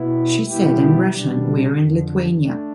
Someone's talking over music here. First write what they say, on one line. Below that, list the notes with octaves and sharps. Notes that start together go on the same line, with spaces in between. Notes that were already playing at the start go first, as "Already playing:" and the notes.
She said, I'm Russian, we're in Lithuania.
Already playing: B2 B3 E4
B2 G3 B3 E4 G4
B2 G3 D4
F2 D3 F3
A3 D4